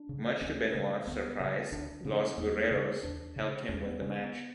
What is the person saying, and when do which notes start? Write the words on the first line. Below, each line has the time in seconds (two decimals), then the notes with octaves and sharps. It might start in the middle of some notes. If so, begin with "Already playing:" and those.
Much to Benoit's surprise, Los Guerreros helped him win the match.
Already playing: D4
0.09 C#3
0.41 D2 C#4
0.74 C#3
1.07 D2 B3
1.40 C#3
1.72 D2 D4
2.05 C#3 C#4
2.37 E2 B3
2.71 C#3
3.03 E2 D4
3.36 C#3
3.69 E2 C#4
3.85 B3
4.01 C#3 C#4
4.18 B3